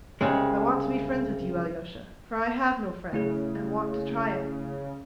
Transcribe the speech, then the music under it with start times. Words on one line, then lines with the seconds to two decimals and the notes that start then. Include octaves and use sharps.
I want to be friends with you, Alyosha, for I have no friends and want to try it.
0.21 C2 C#3 G#3
3.13 C#3 A3 E4 G#4